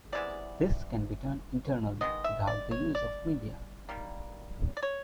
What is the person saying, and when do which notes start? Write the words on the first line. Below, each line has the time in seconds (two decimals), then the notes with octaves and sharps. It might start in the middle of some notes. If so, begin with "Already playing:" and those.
This can be done internally, without the use of media.
0.12 C3 E3 G#3 B3 D5
2.01 D#3 G#3 B3 D#5
2.24 E5
2.47 D5
2.71 C#5
2.95 D5
3.89 D#3 G3 A#3
4.77 D5
4.83 C#5